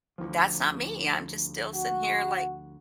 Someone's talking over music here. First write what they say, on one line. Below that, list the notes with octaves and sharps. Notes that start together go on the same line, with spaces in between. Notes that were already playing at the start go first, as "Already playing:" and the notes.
that's not me, I'm just still sitting here, like,
D2 F3
F#4